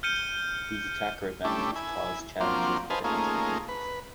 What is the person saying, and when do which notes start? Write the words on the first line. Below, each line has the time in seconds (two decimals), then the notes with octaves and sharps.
These attacker advantages cause challenges for defense mechanisms.
0.03 F6 G6 C#7 D#7 G7
1.45 G3 A3 C#4 D4 E4
1.75 E4 G#5
2.40 F3 F#3 A#3 C4 D4 F4
2.90 B4 C5 D#5 F5 G#5 A5
3.04 A3 A#3 C#4 D#4 F4 G#4
3.69 B4